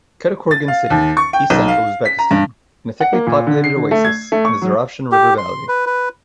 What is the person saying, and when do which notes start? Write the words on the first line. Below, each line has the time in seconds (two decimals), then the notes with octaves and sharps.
Kattakurgan, city, east-central Uzbekistan, in a thickly populated oasis in the Zeravshan River valley.
0.51 A6
0.68 F5
0.90 D#2
1.17 C#6
1.33 G5
1.50 B1
1.68 F5
2.05 B6
2.19 A#5
2.31 G2
3.01 F#5
3.13 A#3
3.27 A#2
3.47 D3
3.64 C7
3.76 D3
3.91 A3
4.05 G#6
4.32 A3
4.45 C#6
4.62 F#3
5.12 G4
5.38 C6
5.68 B4
5.86 B4